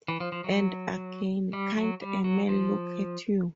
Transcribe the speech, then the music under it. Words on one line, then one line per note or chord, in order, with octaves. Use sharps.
And again, "Can't a man look at you?"
E3
F3
F3
F#3
G3
F#3
G3
F#3
F3